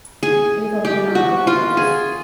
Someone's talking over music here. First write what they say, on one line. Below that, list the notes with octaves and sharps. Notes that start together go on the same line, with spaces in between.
Riga won on away goals.
G#4
G4
F#4
F4
G#4